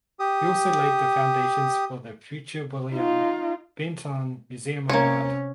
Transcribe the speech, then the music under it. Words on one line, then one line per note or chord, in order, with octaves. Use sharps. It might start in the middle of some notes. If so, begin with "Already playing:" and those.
He also laid the foundations for the future William Benton Museum of Art.
G4 D#6
D#4 F4
C3 A#3 C#4 C#5